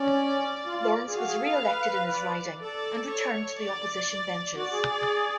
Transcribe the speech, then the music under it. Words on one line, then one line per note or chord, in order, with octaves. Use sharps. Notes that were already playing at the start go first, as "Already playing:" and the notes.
Lawrence was re-elected in his riding, and returned to the Opposition benches.
Already playing: C#4 D5
F4
F4
G#4
F#4 F5
G#4
A4
B4
B4
D5
A4 D5
C#5
D5
F#4 D5
G#4
G#4